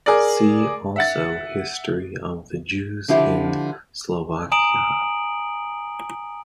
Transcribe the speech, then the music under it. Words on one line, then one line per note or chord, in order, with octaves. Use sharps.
See also History of the Jews in Slovakia.
G#4 A#4 D5
E5 F#5 A6
D3 F3 E4 G4
G#5 A#5 D#6 D7 F#7